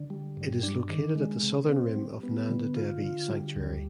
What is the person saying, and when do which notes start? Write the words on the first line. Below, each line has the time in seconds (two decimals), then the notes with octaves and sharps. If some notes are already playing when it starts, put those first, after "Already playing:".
It is located at the southern rim of Nanda Devi Sanctuary.
Already playing: D3
0.10 G3
0.37 G2
0.63 D4
0.89 D#3
1.16 G#3
1.43 C3
1.69 C4
1.96 G3
2.23 B3
2.49 D3
2.76 F4
3.02 D3
3.28 G3
3.56 D2